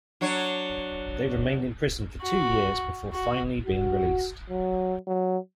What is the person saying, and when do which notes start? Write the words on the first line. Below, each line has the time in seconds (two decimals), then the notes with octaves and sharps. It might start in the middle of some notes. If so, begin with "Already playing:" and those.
They remained in prison for two years before finally being released.
0.21 F#3 D4 C#5
2.21 F#4
3.13 F#4
3.66 F#4
4.50 F#3
5.07 F#3